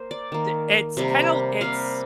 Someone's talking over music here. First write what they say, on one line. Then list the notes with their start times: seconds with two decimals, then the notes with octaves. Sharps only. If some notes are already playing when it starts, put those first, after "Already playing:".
d it's kinda, l it's
Already playing: A#3 C5
0.11 D5
0.32 D#3 A#3
0.97 C3 G3 A#3
1.61 C3 G3 A#3 F5